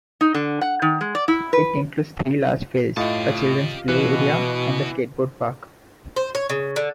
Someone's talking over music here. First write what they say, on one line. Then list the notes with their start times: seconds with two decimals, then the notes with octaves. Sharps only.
It includes three large fields, a children's play area and a skateboard park.
0.21 D#4
0.34 D3
0.61 F#5
0.82 D#3
1.01 G#3
1.15 D5
1.28 E4
1.53 B4
2.97 A2 F4 G4 D#5 F5 A5
3.88 B2 E3 B3 F#4 F#6
6.16 C5
6.35 C#5
6.50 C#3
6.76 D3